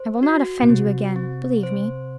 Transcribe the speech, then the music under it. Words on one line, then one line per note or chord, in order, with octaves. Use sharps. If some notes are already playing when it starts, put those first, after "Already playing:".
I will not offend you again, believe me.
Already playing: C5
F#4
B2
C3 C4
C4
C5